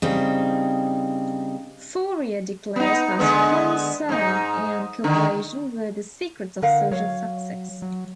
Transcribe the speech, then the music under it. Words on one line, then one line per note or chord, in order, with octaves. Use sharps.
Fourier declared that concern and cooperation were the secrets of social success.
C#3 G3 C4 D#4
B3 D#4
D3 G#3 B3
G#2 D#4
D3 D#3
D3 A#4 F5 F#5
F#3 C#5 F5
F#3